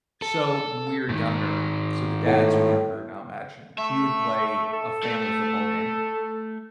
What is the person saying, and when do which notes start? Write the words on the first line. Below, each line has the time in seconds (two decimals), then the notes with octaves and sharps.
So when we were younger so the dads are younger now, imagine, we would play a family football game
0.22 A4
1.09 G#2 D#3
2.27 A2
3.78 A3 E5
4.73 A4
5.03 A3